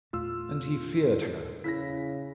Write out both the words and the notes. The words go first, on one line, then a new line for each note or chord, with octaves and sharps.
And he feared her.
E2 A#2 A3 F4 E6
C#3 E4 F#6 A#6 B6